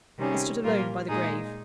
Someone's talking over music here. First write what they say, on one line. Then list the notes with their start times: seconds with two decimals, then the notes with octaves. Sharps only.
I stood alone by the grave.
0.18 C3 D#3 G3 C#4 G#4
0.64 A#2 G3 A#3 F4 A#4
1.09 A#2 G#3 D#4 G#4